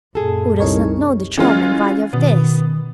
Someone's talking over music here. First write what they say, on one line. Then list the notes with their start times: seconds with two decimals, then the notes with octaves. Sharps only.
Who does not know the charm and value of this?
0.15 F#2 A#2 G#4 A4
0.60 C2 D#4 A#4 C#5
1.37 E3 G#3 C#4 F4
2.13 B2 D#3 B3